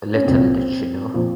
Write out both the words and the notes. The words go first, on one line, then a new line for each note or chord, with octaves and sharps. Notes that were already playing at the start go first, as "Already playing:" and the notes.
Little did she know.
C#4
C2 A#2 F3 C4
A#2 F3